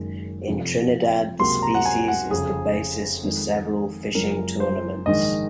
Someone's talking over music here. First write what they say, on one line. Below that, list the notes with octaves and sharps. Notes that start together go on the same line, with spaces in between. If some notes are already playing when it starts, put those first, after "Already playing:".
In Trinidad, the species is the basis for several fishing tournaments.
Already playing: F#1 F#2 D#3 G#3
F1 F2 C3 F3
C#2 C3 F#3 A#3 C6
A#5
F#5
G#5
F#5
F1 F2 C#3 G#4
F2 D#3 G#3
F#1 F#2 F3 G#3 A#4
C5
A#1 G#2 D#3 G#3 D#5